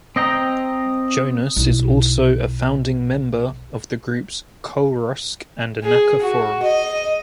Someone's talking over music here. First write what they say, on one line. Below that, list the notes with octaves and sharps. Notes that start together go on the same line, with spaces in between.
Jonas is also a founding member of the groups Kullrusk and Nacka Forum.
C4 D#5 G5 A#5
B1 E4
G#4
F#4
D#5